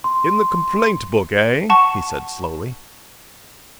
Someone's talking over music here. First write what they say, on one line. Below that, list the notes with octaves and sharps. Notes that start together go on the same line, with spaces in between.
"In the complaint-book, eh?" he said, slowly.
C6
F#5 A5 C#6